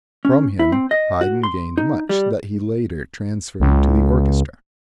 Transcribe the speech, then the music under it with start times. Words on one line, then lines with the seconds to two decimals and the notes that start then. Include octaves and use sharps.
From him Haydn gained much that he later transferred to the orchestra.
0.25 C#4
0.59 E4
0.72 C4
0.91 D#5
1.21 F#4
1.43 C6
1.78 D#4
2.09 G3
3.60 C#2